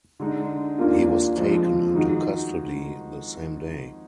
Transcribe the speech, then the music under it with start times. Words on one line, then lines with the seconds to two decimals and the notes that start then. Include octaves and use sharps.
He was taken into custody the same day.
0.20 D3 G#3 D#4
0.78 D#2 D#3 A#3 D4 F4
1.36 F2 F3 G#3
1.93 D#3 G#3 D#4 F#4